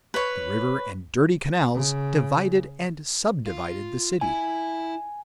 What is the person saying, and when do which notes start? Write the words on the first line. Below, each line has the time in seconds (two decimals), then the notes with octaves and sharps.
The river and dirty canals divided and subdivided the city.
0.14 B4 C#5
1.74 C#3
3.46 F4
4.21 E4 G#5